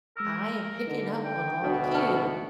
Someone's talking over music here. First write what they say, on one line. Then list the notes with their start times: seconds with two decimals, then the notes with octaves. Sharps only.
I am picking up on all the cue.
0.17 G#3 A#4 E6 F6
0.87 D3 D#4
1.25 G5
1.62 D2 B2 D4 F#4
1.95 D#4 A5 C#6 F6